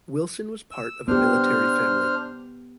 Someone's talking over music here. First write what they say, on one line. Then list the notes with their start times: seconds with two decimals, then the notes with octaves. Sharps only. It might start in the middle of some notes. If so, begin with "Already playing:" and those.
Wilson was part of a military family.
0.71 E6
1.08 B3 D4 G4 C5 F6